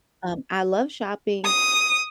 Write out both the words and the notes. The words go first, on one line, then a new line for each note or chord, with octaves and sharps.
Um, I love shopping
D#6